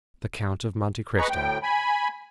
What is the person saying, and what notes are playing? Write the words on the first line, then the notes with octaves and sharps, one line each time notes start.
"The Count of Monte Cristo."
G#4 B4 D#5 A#5 B5 C#6
D2 A2 G5
G#5 B5